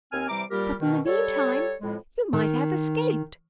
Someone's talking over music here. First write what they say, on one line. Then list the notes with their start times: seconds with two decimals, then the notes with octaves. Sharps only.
"But in the meantime you might have escaped."
0.12 D#2 C4 G#5 F6
0.28 C3 E3 G3 C5 A#5 D6
0.50 A#2 G3 G4 A#4
0.81 B2 D#3
1.06 G3 A4 C#5
1.81 F2 A2 G#3
2.33 D#3